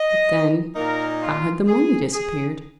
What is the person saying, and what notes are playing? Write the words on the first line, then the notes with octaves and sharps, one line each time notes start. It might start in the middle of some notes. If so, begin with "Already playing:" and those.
But then--how had the money disappeared?
Already playing: D#5
A#2 A#3 D#4 A#4
F4
G#4
G#4